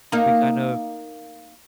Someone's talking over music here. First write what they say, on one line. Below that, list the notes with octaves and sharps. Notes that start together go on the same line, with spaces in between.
we kind of
A#3 D#4